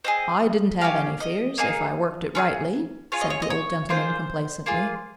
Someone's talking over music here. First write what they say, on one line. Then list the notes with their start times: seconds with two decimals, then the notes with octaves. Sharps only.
"I didn't have any fears, if I worked it rightly," said the old gentleman complacently.
0.04 C4 F4 G#4 D#5
0.81 C#4 G4 F5
1.20 D#5
1.58 A#3 D#4 G#4
2.35 C#4 F4 G#4
3.12 C#4 F4 G#4 C#5
3.21 D#5
3.30 C#5
3.42 D#5
3.50 C#5
3.89 A#3 F4 G#4 C5
4.66 A#3 F4 G#4